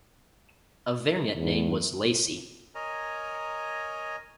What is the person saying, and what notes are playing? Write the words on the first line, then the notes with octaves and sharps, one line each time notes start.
A variant name was "Lacey".
E2
A#4 C#5 D#5 G#5 A#5